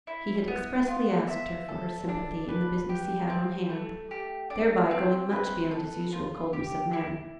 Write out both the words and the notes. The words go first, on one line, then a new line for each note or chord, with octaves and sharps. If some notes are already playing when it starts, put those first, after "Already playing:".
He had expressly asked her for her sympathy in the business he had on hand,--thereby going much beyond his usual coldness of manner.
E4
B3
F4
E5
A4
D4
B4
G4
C4
A3
G4
D4
C4
B4
A4
F4
G4
E4